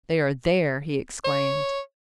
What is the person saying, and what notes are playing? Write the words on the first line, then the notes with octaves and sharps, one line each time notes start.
"They are there!" he exclaimed.
C#5